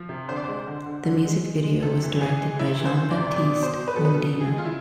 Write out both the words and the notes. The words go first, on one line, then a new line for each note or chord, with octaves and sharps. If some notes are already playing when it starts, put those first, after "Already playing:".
The music video was directed by Jean-Baptiste Mondino.
Already playing: F3
C3
D3 C5
D5
G#3 C5
D3
D3
D3
G#3
G#3
G#3
C3 A4
E3
E3 G#4
G#3
C3 E4
E3
C5
E3
D5
C3
B2 D5
B2
C5
B2
B4
B2 A4
B4
B2 A4
B2
G#4
G#3
F4
E4